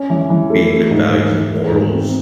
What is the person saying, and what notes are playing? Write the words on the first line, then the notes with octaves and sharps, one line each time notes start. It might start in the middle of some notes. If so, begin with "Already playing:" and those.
um, being good values and morals,
Already playing: C#4
E3
E3
A3
A3
G#2
G#2
E3
A3
G#2
C4